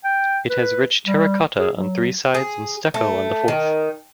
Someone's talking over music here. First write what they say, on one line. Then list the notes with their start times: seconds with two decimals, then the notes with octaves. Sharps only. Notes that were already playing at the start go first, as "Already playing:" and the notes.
It has rich terracotta on three sides and stucco on the fourth.
0.04 G5
0.50 B4
1.07 G3
1.59 G#4
1.75 F#3
2.34 G#4
2.94 A3
3.48 D#3